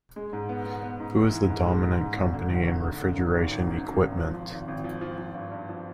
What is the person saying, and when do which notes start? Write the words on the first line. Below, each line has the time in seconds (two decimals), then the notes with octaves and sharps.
Who is the dominant company in refrigeration equipment?
0.16 G#3
0.33 G#2
0.49 B3
0.66 B3
0.83 B3
1.00 G#2
1.17 E3
1.33 E3
1.50 G#2
1.67 G#3
1.83 G#3
2.00 G#2
2.16 G#1
2.33 D3
2.50 G#1
2.67 D3
2.83 D3
3.00 F#2
3.17 G#1
3.34 G#1
3.51 G#1
3.67 F#2
3.84 F#2
4.01 G#1
4.18 F3
4.34 F3
4.51 G#1
4.68 G#1
4.84 F3
5.01 F3
5.18 F3
5.34 G2
5.51 G2
5.69 F3